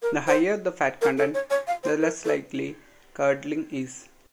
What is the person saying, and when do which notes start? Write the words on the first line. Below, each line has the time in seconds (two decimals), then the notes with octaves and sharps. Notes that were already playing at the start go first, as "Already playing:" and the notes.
The higher the fat content, the less likely curdling is.
0.02 A#4
0.27 C5
1.01 A#4
1.17 A4
1.34 C#5
1.50 C#5
1.67 F5
1.84 C5
2.01 A#4
2.25 A4